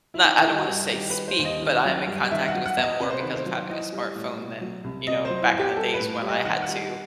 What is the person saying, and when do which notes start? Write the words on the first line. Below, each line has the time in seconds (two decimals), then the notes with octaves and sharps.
not I don't wanna say speak, but I am in contact with them more because of having a smartphone than, you know, back in the days when I had to,
0.14 E4
0.23 E3 D#4
0.41 E4
0.47 G3
0.58 F#4
0.70 G2
0.93 D#3 G4
1.10 B4
1.16 G3
1.28 C5
1.39 D#2
1.45 D#5
1.62 D#3
1.85 F#3
2.08 G2
2.31 D#3 E5
2.48 F#5
2.55 F#3
2.66 F#5
2.77 E2
2.83 D#5
3.00 C3 B4
3.10 C5
3.20 D#3 B4
3.35 C5
3.46 F#3
3.70 E3 D#5
3.92 G3
4.15 A2
4.39 B2
4.61 F#3
4.84 C2
5.07 C3 D#5
5.25 C5
5.30 F#3
5.42 E4
5.54 E2
5.59 G4
5.76 G3 A4
5.94 B4
6.00 A2
6.22 G3
6.29 D#5
6.45 D#3 F#5
6.62 F#5
6.69 G3